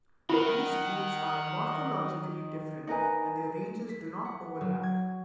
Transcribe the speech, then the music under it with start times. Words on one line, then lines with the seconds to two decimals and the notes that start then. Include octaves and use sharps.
These groups are morphologically different and their ranges do not overlap.
0.30 D#3 E4 A#4 F#5
2.87 D#4 A#4 B4 G#5
3.89 B6
4.25 F#5
4.61 F#3
4.83 G#6